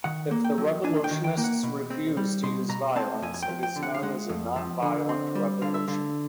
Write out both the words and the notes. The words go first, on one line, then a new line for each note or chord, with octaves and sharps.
If the revolutionists refuse to use violence, it is known as a nonviolent revolution.
D#3 F#5
A#3
G5
F#3
D4 G#5
G5
D#3
G5
A#3 G5
F#5
B2
C4
G3
B2 C6
B2 A#5
C4 A5
F2 G#5
G#5
G5
F3
G5
D3
F#5
F5
G#3 F#5
F2
F3
D3
C4
G3
D3 F5
E5
D3 F5